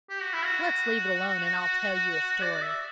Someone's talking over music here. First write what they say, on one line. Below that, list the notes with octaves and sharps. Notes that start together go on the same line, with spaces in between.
Let's leave it alone and I'll tell you a story.
G4
F#4
E4
F#4
D5
E5